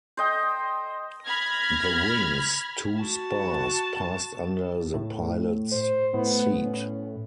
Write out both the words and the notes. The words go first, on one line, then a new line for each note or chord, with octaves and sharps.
The wing's two spars passed under the pilot's seat.
C5 D#5 G5
B5 F6 G#6 A#6
F#4 A5
A2
C5
A2 B3
C#4